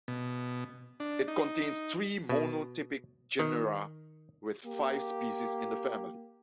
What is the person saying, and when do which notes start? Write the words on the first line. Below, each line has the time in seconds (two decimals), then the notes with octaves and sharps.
It contains three monotypic genera, with five species in the family.
0.08 B2
1.00 D4
1.28 D#4
2.29 B2
3.39 D#3
4.65 A#3 G4